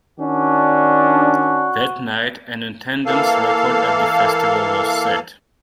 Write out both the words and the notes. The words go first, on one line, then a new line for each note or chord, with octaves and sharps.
That night an attendance record at the festival was set.
D#3 C#4 D4 F#4
E3 A#3 A4 F5